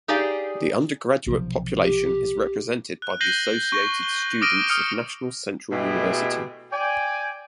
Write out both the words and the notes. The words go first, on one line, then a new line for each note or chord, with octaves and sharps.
The undergraduate population is represented by the Associated Students of National Central University.
D#4 G4 G#4 D5 F5
B1 C3 F3
G4
F#6
G6 A#6 C7 D#7 F#7 G7
C#6 A#6
G7
D6 D#6 F6 A#6 D7 D#7
D#6 F6 C#7
B2 G#3 A3 E4 G4 G#4
D5 G5 G#5